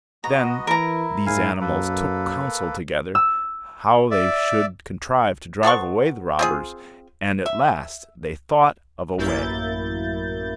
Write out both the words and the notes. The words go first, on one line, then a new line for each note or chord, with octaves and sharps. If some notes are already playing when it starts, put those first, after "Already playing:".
Then these animals took counsel together how they should contrive to drive away the robbers, and at last they thought of a way.
B3 F#4 D#5 A#5
E3 E4 A#4 A#5
G#2 E4 F5 G#5
F#2 A#3 A4 B4
E6
D5 E5
B3 A4 C5 C#6
C4 F4 G#4
E5
A1 F#2 A#3 E4 G6 A6